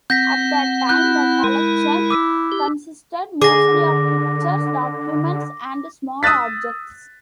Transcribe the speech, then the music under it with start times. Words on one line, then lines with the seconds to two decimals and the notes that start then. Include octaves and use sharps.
At that time, the collection consisted mostly of pictures, documents, and small objects.
0.10 C4 F#5 G6 A#6 B6
0.89 E4 F#6 G6
1.44 G#3 A#4
2.11 D6 E6 B6
2.52 G4
3.42 D3 G#4 D6 A#6
6.23 D#6 E6 F#6 A6 B6